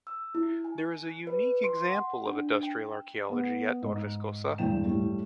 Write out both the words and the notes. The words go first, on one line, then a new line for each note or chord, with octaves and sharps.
There is a unique example of industrial archaeology at Torviscosa.
E6
E4
G#5
F#6
B4
C6
F#5
D4
G5
B3
G#2 D#5
E2 G2 G#3 G5 E7
A2 G3 A3